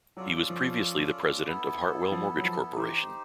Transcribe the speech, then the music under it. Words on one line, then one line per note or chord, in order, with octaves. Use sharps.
He was previously the president of Heartwell Mortgage Corporation.
F#3 C#4 F4 A4 D5
F3
B3 E4 A4
F3
F#3
F3
E3 D#4 G4 C5